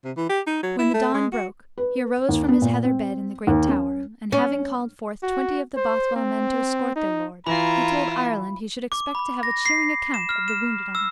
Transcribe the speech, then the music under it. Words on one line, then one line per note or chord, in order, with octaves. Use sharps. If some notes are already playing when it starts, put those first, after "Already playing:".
When the dawn broke, he arose from his heather bed in the great tower; and having called forth twenty of the Bothwell men to escort their lord, he told Ireland he should expect to have a cheering account of the wounded on his return.
C3
E3
G4
D#4
F#3
E4
A3
G#3
F#4
B4
D#2
B3
A#2
C4
D#2
C#4
C#4
F#4
C5
C4
D#4
E3 E4 F4 A#5 B5
D6
B5
A#6
C7
E7
F6
E7
E6